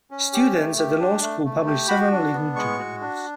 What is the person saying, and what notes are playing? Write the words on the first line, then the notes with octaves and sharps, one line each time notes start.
Students at the Law School publish several legal journals.
C#4
G4
A3
G4
D4
A3
A3
G4
F#4 B5
D4
B3
G#3 C#6
F#4
D4